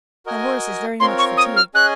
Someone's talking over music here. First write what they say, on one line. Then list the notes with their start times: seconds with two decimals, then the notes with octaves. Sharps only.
"That horse is very much fatigued."
0.26 F#4 A#4 D#5 G#5
1.00 C4 F4 A#4 C#5 C6
1.19 C#6
1.37 D#6
1.56 F6
1.74 C#4 G#4 D#5 G#5 F#6